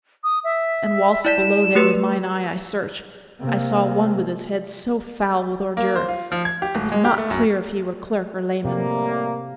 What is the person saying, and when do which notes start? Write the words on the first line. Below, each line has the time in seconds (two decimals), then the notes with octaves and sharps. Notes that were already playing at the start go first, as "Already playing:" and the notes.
And whilst below there with mine eye I search, I saw one with his head so foul with ordure, It was not clear if he were clerk or layman.
0.24 D#6
0.44 E5
1.25 E4 D5 B6 E7
1.75 A3 G4 B4
3.40 C3 A#3
5.77 A#3
5.96 C5
6.09 F4
6.32 F3
6.45 G#6
6.62 G4
6.75 D1
6.92 G#3
7.05 G4
7.18 A3
7.31 F#2
8.65 A2 C3 G3 A#3